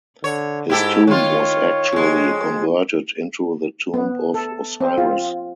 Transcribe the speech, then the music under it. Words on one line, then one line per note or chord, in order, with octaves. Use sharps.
His tomb was actually converted into the tomb of Osiris.
D3 C#5
G#2 E4 G4 A4
D#3 F4 C#5
F2 G#3
B3
A4
C4
F4